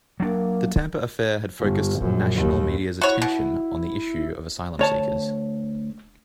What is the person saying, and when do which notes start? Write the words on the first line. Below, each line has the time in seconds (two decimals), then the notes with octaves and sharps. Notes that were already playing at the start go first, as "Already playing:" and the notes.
The Tampa affair had focused national media's attention on the issue of asylum seekers.
0.20 F#3 A#3 D4
1.60 G1
2.00 A#1 F#2
2.35 D#2
3.01 E4 F#4 C#5
3.22 B2
4.79 D2 C#5 A5